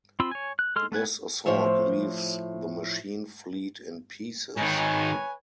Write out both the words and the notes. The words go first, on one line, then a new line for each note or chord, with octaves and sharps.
This assault leaves the machine fleet in pieces.
C4 F4 B5 C6 E6
C#5 G#5
F#6
G#3 A4 C6 F6
A3 B3 B4 G#5
A2 F3 C5 C#5 E5
G#2 D#3 B4 C#5 G#5